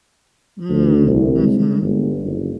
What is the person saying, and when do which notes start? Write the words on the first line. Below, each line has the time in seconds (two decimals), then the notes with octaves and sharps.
Mm, mhm.
0.70 D2
1.06 C2
1.42 G#3
1.82 G1
2.22 F#1